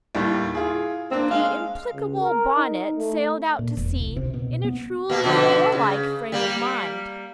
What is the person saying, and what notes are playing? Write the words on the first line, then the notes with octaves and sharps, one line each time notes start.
The implacable Bonnet sailed out to sea in a truly warlike frame of mind.
D#2 A2 G3
E4 F4 G#4
A#3 C4 D4
G#3 F5
C#2
A#4
D#4
A3
A#2
E1
C2
C3
B2
B3
B2 A#3
B2 D3 F3
C#3
G3 A#3